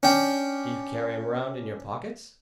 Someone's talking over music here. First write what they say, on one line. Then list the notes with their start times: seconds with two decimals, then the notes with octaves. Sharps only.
"Do you carry 'em round in your pockets?"
0.03 C#4 D4 G5